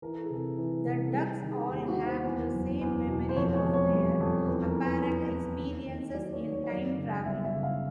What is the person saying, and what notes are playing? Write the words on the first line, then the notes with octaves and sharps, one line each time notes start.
The Ducks all have the same memory of their apparent experiences in time travel.
E3 A#4
A4
G#4
C3 A4
E3
C3
A4
G3 G#4
G4
D#3
G#4
D#2 G4
F#4
D#2
C5
E2
F#1
E2
B2
C5
F2 C#5
C#5
F2
C#5
G3
F2
E2 B4
A#4
E2
B4
E3 B4
E2
D#2
D#3
F#3 D5
C#5
D#3
C#5
C#5
F#2 D5
C#3
G1 E5
E5
C#3
F5